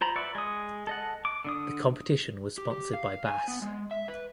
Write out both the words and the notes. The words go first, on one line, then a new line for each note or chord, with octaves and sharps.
The competition was sponsored by Bass.
F4 C5 A#5 B5
B4 D5 E5 F#5 C#6
G#3 D#6
A4 D#5 F#5
D6
D3 D4 D#6
G4
G4
F5
G#5
B3
G#3
E5
B4